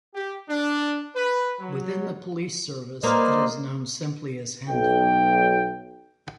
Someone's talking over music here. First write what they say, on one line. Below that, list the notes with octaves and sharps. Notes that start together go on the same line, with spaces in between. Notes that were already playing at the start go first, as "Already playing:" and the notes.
Within the police service it is known simply as "Hendon".
G4
D4
B4
F#3
A#3 B4 C5 D5 D#5
B1 G5